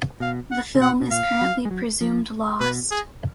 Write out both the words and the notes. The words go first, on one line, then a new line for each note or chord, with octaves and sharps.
The film is currently presumed lost.
B2 F5
F#5
C#3
B2 F#5
B2
A#2 F5
F#3
G#3
F#3
F3
B2 B4
G#4